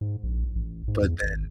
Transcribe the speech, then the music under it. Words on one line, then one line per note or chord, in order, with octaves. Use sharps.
But then,
G#2
A#1
A1
G#2
E2
G#1